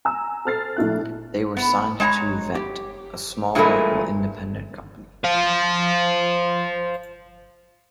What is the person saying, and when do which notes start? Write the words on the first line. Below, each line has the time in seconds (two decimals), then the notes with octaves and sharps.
They were signed to Vent, a small local Independent company.
0.05 G#5 A#5 E6
0.45 A4 C5 F6 A6 C7
0.76 A#1 A3 E4 F#6
1.57 B3
2.00 G#3 C#5 G#5 A#5
2.55 G4
3.55 G2 A#2 E3 G#3 A3 A#4
5.25 C5 F5